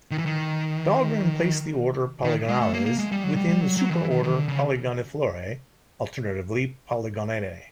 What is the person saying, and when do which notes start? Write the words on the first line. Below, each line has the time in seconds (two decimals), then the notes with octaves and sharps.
Dahlgren placed the order Polygonales within the superorder Polygoniflorae, alternatively Polygonanae.
0.11 D#3
0.18 E3
0.26 D#3
2.24 D#3
2.48 G#3
2.61 A3
2.74 A#3
2.86 A#3
2.99 G#3
3.12 G3
3.24 F#3
3.36 G3
3.49 G3
3.61 F#3
3.77 F#3
3.90 D#3
3.94 E3
4.11 D#3
4.24 D#3
4.36 D3
4.48 C#3